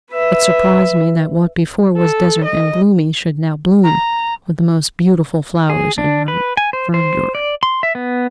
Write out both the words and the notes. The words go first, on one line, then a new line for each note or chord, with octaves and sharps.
It surprised me that what before was desert and gloomy should now bloom with the most beautiful flowers and verdure.
B4 E5
A4
D#5
A#5
G#4
D4
B4
G#5
C5
C5
D5
C6
E5
B3